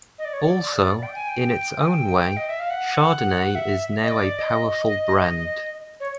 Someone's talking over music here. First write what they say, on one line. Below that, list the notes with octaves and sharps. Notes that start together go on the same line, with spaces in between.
Also, in its own way, Chardonnay is now a powerful brand.
D#5
D5
C#5
D5
G5
G#5
G5
G#5
G5
D#5
E5
F5
F#5
E5
D#5
D5
D#5
C#5